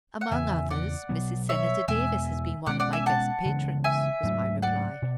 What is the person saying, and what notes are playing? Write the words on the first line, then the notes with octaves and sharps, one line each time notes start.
"Among others, Mrs. Senator Davis has been one of my best patrons," was my reply.
F#5
E2 C#3 E3 E5 G#5
D5 F#5
B2 F#3 B3
C#5 E5
E2 B2 G#3 E5 G#5
B2 G#3 C#4 D5 F#5
D5 F#5
E5 G#5
F#5 A5
C#3 E3 G#3 B3
E5 G#5
G#2 F#3 A3 D4
D5 F#5
B2